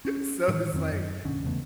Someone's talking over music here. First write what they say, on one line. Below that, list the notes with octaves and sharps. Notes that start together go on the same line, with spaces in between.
so it's like,
C#4
A2 D#3 E3
F2 D#3 A#3 C4
F#2
E1 A#1 D3 C#4
E2 C#3 A3 B3